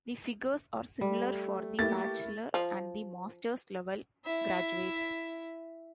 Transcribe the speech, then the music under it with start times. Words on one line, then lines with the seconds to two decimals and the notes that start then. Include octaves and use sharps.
The figures are similar for the bachelor and the masters level graduates.
1.01 G3 A3
1.79 A3 A#3 E4 G4 A6
2.54 F3
4.25 E4 E5